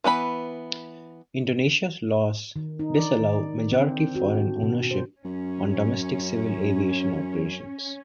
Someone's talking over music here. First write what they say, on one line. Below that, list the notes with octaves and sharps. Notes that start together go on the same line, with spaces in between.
Indonesia's laws disallow majority foreign ownership on domestic civil aviation operations.
E3 B3 F#4 B5
D#3
D#4
D5
D#3
C4
F#4
D4
B2
C5
F#2 C#4